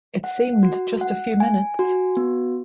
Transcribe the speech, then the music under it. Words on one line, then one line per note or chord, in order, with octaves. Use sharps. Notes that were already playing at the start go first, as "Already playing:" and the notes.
It seemed just a few minutes.
F#5
F#4
F#5
G#5
F#4
B3